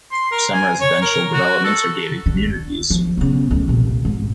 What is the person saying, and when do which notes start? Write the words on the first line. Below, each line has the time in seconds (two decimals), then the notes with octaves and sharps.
Some residential developments are gated communities.
0.12 C6
0.31 A#4
0.53 G#5
0.81 C#5
1.02 A#4
1.33 F#4
1.64 A4
2.26 D3
2.90 F3
3.18 C#3 B3
3.51 D2
3.68 C2 A#2
4.05 G#2